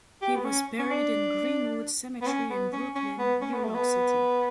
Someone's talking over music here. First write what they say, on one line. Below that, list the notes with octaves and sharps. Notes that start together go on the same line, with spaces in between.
He was buried in Green-Wood Cemetery in Brooklyn, New York City.
G4
B3
C#4
C#4
D4
B3
C#4
B3
C#4
C#4
B3
C#4
B3
A3
B3